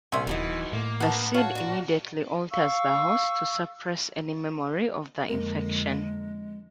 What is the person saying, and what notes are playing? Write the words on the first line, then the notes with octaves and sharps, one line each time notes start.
The "seed" immediately alters the host to suppress any memory of the infection.
C2 A#2 E5 G#5 C6
D#1 E3 F#3 B3 D#4
A2 A#3
B3 A#4 F#5 A5
F#4 C#5 F5 A5
A#2 D4
F5 C#6 E6
F2 D3 G#3 A#3